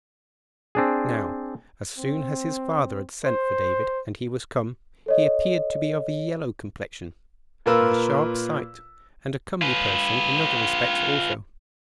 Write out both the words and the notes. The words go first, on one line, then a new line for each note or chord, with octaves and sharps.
Now, as soon as his father had sent for David, and he was come, he appeared to be of a yellow complexion, of a sharp sight, and a comely person in other respects also.
C4 D4 G#4
C4
C5
A4 C#5 D#5
A#2 F4 A#4 B4 E6
F4 B4